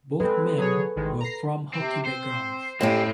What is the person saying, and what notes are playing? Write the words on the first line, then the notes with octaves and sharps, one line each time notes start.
Both men were from hockey backgrounds.
G#3 C4 A4 B4
F#3 G#4 C#5
A1 D#3 G#3
A#5 A#6 C7
C3 C4
C4 C5
F2 A2 C4 C#4 G4